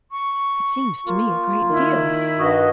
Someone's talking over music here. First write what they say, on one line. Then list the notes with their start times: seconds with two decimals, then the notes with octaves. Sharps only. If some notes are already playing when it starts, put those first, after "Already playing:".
"It seems to me a great deal."
0.11 C#6
1.06 A#3 F4
1.70 D#3 E4
2.39 G2 F#4 D#5